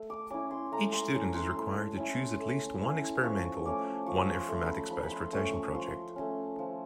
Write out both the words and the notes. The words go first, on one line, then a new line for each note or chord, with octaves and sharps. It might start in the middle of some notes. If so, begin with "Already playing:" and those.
Each student is required to choose at least one experimental one informatics-based rotation project.
Already playing: A3
D6
C#4 E4 D6
C6
A3 A#5
C6
C#4 E4
C6
A3
C#4 E4
A3
C#4 E4
F3 C#6
A3 C#4 D6
F3 C#6
C6
A3 C#4
B5
F3 B5
B5
C6
A3 C#4 C#6
C#6
F3 C6
A3 C#4
F3